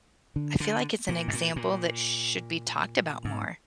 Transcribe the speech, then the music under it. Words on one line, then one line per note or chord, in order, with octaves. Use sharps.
I feel like it's an example that should be talked about more.
D3
D3
A#2
G#2
A#2
A#2
G#2